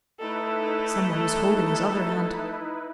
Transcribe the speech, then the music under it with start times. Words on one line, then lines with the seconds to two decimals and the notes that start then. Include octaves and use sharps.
Someone was holding his other hand.
0.20 A3 D#4 E4 A4 B4